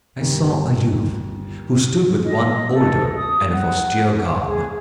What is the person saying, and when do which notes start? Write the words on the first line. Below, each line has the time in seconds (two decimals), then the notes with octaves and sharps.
I saw a youth who stood with one older and of austere garb.
0.20 G1 D#2
2.25 D#5
2.74 A4
3.17 D#6
3.52 F#5
4.46 G#4